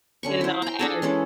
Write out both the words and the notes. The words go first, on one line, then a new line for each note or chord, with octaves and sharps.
You know, as
D3 C#4 C#6
E4 C5
G5 A#5
D4 G#4 A4
E3 G#3 C#4 A4